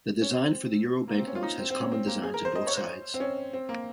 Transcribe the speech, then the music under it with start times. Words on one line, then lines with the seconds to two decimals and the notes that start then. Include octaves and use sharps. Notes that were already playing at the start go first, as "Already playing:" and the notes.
The design for the euro banknotes has common designs on both sides.
0.22 C#4
0.31 C4
1.08 A#3
1.17 C4
1.27 C#4
1.35 F4
1.43 D#4
1.59 C4
1.70 C4
1.80 C#4
1.92 C4
2.07 A#3
2.23 G#4
2.34 A#4
2.45 C5
2.55 D#5
2.67 C#5
2.77 C5
3.14 C4
3.20 C#4
3.53 C4
3.69 A#3